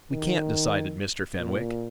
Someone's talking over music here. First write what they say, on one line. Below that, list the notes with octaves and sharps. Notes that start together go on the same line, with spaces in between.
"We can't," decided Mr. Fenwick.
D#3
A#2